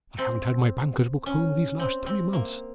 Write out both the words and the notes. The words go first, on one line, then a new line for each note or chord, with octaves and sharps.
I haven't had my banker's book home these last three months.
C4
C#4
C4
C4
A#3